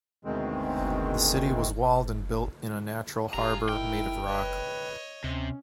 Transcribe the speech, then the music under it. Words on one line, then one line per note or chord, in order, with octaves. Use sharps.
The city was walled and built in a natural harbour made of rock.
D2 B2 D#3 G#3 C4
F#1 F4 G4 G#4 A#5
D#4 E4 A#4 G5
B4 C#5 D#5
D2 C3 C#4